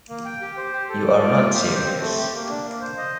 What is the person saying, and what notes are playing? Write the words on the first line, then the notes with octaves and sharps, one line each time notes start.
You are not serious.
A#3
G5
G4
C5
G4
A4
D5
F4
A#3
G4
C5
C4
A3
G4
A#3
D4
A#3
C5
D#5